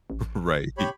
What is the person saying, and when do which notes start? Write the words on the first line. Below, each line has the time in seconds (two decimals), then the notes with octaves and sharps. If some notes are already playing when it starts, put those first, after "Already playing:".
Right, he
0.10 A1
0.78 G4 C#5 B5